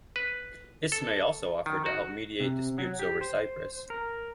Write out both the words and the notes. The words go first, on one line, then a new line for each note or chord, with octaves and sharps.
Ismay also offered to help mediate disputes over Cyprus.
B4
A4
D#3
F#4
C3
F#3
G4
C5
A#4